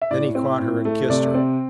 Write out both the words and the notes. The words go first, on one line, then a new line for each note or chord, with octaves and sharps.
Then he caught her and kissed her.
E5
A2 D5
C4
A2
A3
C3 D5
C4